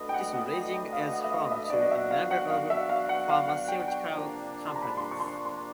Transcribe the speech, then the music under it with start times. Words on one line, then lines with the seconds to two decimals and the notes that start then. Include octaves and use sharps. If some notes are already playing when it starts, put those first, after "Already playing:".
This riding is home to a number of pharmaceutical companies.
Already playing: A3 D4 F#4 B4 D#5
0.09 G5
0.14 F#5
0.33 F#5
0.53 G5
0.73 G5
0.93 F5
1.12 F#5
1.24 E5
1.32 F5
1.51 E5
1.70 F#3 B3 D4 F#4 D5
1.80 D#5
1.91 E5
2.11 F5
2.31 F#5
2.50 F5
2.70 E5
2.89 F5
3.09 F#5
3.29 F5
3.48 F#5
3.68 G5
3.80 F#5
3.88 G5
4.08 C3 F3 A#3 D4 G4
4.67 C6
4.75 A#5
4.82 B5
4.97 C6
5.11 C#6
5.20 C6
5.26 C#6
5.45 C6